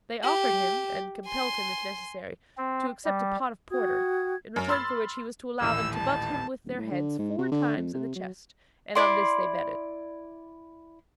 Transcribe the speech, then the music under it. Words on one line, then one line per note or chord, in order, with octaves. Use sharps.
They offered him, and compelled him, if necessary, to accept a pot of porter, in return for which he was to allow them to butt him with their heads four times in the chest, and on this they betted.
G4
G#5 C6
C4
G3
F#4 G5 D#6 G#6
F#2
B5 C6 E6 F6 A6
D#1 A1 A2 E6
A5
D#1
A2
D3
G#2
C3
D3
F2
C3
F#3
E4 D5 C6